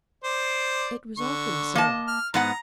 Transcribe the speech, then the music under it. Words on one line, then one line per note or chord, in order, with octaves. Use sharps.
It was often so.
C5 D5
D3 C#6
A#3 D#5 A5
F6
G#2 B3 F#5 A#5